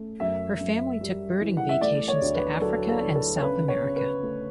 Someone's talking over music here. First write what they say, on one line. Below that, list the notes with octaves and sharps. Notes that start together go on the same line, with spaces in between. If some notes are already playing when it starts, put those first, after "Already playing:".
Her family took birding vacations to Africa and South America.
Already playing: A3 C#4
F#2 E5
F#2
G3
E3
F#5
E5
A3 D5
C#5
D2
B4
F#3 A4
A4
D3
A4
C#5
C#3 B4
C#5
C#3
B4
A3